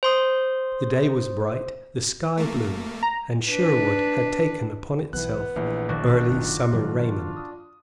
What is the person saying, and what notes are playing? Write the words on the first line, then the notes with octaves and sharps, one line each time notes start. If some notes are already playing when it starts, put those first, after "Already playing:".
The day was bright, the sky blue, and Sherwood had taken upon itself early summer raiment.
C5 C6 D#6
A3 A#3
A#5
D4 B4
B1 E3 B3 F#6
A#1 A2 E3
A1 D#3 F3 D4 F#4
F#1 D#3 F4
G2 D#3 F3 F#3
D#6